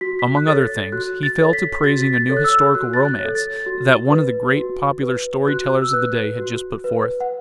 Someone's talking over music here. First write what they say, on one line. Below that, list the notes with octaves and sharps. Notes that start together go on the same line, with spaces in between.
Among other things, he fell to praising a new historical romance that one of the great popular story-tellers of the day had just put forth.
F#4 B6
B6
F#6
A4 C#5 A6
F#4 F#6
A6
A4 C#5
B6
B6
F#4 A6
B6
A6
A4 C#5
F#6
E6
F#4 F#6
A6
F#6
A4 C#5
A6
F#4
B4
F#4
B4
F#4 F#6
E6
B4 F#6
F#4
B4
F#5